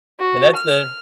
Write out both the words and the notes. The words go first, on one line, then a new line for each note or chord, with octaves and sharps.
and that's the
F#4
F6